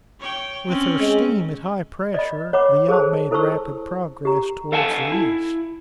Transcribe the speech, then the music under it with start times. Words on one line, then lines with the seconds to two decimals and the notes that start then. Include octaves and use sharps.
With her steam at high pressure, the yacht made rapid progress towards the east.
0.20 C#5 G5
0.68 C4 C#4
1.00 G#3
2.14 D5 D#5 B5
2.53 C#5 F#5 B5 D6
2.89 G#4 A4 C5 A5
3.31 E4 A4 C5 A5 C#6 E6
4.25 G4 A#5
4.72 A4 F5 F#5 G#5 A5
5.12 E4